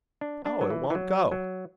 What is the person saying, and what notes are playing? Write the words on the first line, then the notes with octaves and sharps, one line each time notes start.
Oh! it won't go.
D4
D4
F#3
E3
E3
F#3
F#3